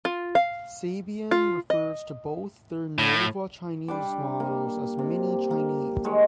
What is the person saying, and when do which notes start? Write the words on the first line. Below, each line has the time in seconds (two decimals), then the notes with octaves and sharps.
Sabian refers to both their nova Chinese models as mini Chinese.
0.05 F4
0.35 F5
1.31 F4
1.70 D#5
2.99 A2
3.88 G3 D4 D6
4.40 A#3
4.99 C3
5.51 A#3
6.04 D#3 G#3 A#4 C#5